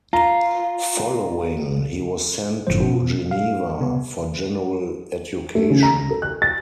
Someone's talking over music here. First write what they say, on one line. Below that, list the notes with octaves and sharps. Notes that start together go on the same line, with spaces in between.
Following, he was sent to Geneva for general education.
F4 A#5
G1 F#2 A2 F3 F#3 C5
B2
F5
C3 B3
A3
C#3
A#5
A4
F#6
A6